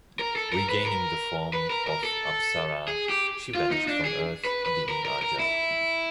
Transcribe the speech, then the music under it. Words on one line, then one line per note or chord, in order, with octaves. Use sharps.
Regaining the form of apsara, she vanished from earth leaving Aja.
A#4
A4
A#4
B4
A#4
B4
A#4
A#4
A4
G#4
G4
F4
D#4
D4
G#4
B4
B4
A#4
A#4
A#4
E4